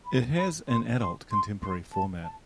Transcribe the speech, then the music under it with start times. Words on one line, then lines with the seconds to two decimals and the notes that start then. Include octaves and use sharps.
It has an adult contemporary format.
0.06 B5
0.38 B5
0.69 C6
1.01 C6
1.32 C6
1.62 C6
1.92 A5
2.24 A5